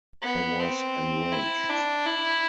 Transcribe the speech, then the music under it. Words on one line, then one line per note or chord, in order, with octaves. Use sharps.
I was enraged.
B3
C4
E4
D4
E4